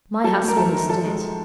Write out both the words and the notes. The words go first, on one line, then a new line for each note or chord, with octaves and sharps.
'My husband is dead.
F#3 A4
A3
A#4
F#2 A4
D#3
F3 A4
G#3